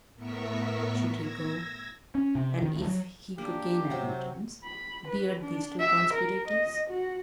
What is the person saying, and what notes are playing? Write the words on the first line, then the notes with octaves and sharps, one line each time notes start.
Should he go and--if he could gain admittance--beard these two conspirators?
A2 B3 A#4 E5 C#6 B6
E6 G#6 A#6
C#4
C3
D#3
D2
F#3
A#3 D4 G4
C3 F#3 C5
B5
B4
D4
E5
A#4
D#5
F#4